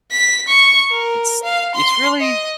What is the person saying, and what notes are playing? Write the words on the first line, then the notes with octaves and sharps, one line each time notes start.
It's it's really
B6
C#6
A#4
F5
C6
D#5